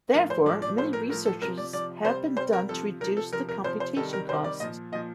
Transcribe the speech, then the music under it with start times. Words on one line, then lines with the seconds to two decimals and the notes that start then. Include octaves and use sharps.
Therefore, many researches have been done to reduce the computation cost.
0.13 A2 F3 A#4
0.30 C5
0.46 A2 F3 D5
0.62 D5
0.77 A2 F3 C5
0.93 A#4
1.09 A2 F3 A#4
1.26 A4
1.42 C3 F3 A#4
1.58 D5
1.73 C3 F3 D5
2.05 C3 G3 C5
2.37 C3 G3 C5
2.53 A#4
2.69 C3 F3 A4
3.00 C3 A#4
3.04 F3
3.17 A4
3.33 C3 F3 A#4
3.49 A#4
3.64 C3 F3 C5
3.80 C5
3.97 C3 D#3 G3 A4
4.13 A#4
4.29 C3 D#3 G3 C5
4.44 D5
4.60 A#2 F3 D#5
4.92 A#2 F3 D#5